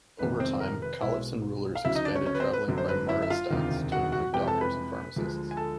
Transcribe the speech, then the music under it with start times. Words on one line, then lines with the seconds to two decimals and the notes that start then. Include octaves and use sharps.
Over time, Caliphs and rulers expanded traveling bimaristans to include doctors and pharmacists.
0.19 F1 F2 C3 D#3 G#3 B4
0.40 C4 C5
0.60 A#4
0.82 B4
1.02 B1 B2 G#3 E4 E5
1.75 F5
1.85 D2 C#3 F#3 E4 E5
1.95 D#4 D#5
2.05 D4 D5
2.16 C#4 C#5
2.26 C#4 C#5
2.35 B4
2.40 C4 C5
2.53 B4
2.68 G1 F#2 D3 F#3
2.78 C5
2.88 B4
3.09 E4 E5
3.22 E5
3.30 F4 F5
3.50 E1 D2 C3 D#3
3.92 F#4 F#5
4.12 F#4 F#5
4.33 F2 C3 E3 G#3 G4 G5
4.48 A4 A5
4.61 B4 B5
5.16 D2 D3 F3 G#3
5.51 G#5
5.57 A4 A5